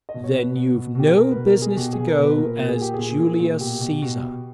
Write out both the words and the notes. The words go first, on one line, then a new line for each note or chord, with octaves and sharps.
"Then you've no business to go as Julius Cæsar."
D#5
B2
C#5
B2 B4
B2
B2
B2 G4
G#4
B2 A#4
B2 B4
A#4
B2
G#4
B2 G4
B2 G#4
A#4
B2 B4
A#2 A#4
A#2
G#4
A#2 G4
A#2 G#4
A#2
A#2
B2 G4
B2
B2
B2